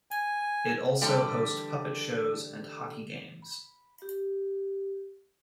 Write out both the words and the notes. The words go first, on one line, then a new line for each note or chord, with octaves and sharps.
It also host puppet shows and hockey games.
G#5
D3 E3 G3 G4 A4 D5
B5
G4